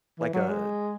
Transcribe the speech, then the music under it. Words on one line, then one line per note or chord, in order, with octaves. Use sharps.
like, a
E3
F#3
G#3